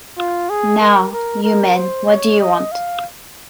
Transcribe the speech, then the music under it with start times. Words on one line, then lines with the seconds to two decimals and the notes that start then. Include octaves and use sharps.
Now, you men, what do you want?
0.18 F4
0.50 G#4
0.80 A#4
1.13 A#4
1.44 A#4
1.76 C5
2.08 C#5
2.40 D#5
2.72 F5